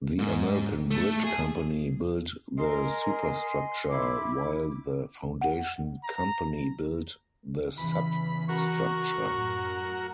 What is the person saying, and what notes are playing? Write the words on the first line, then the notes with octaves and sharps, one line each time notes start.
The American Bridge Company built the superstructure; while the Foundation Company built the substructure.
G#2
A3
G#4
G#4 A#4 D#5 C6
E4 D6
F#5
A#5
E2 C#3 E3 B5
F#4 A#4 C#6
F#2 A2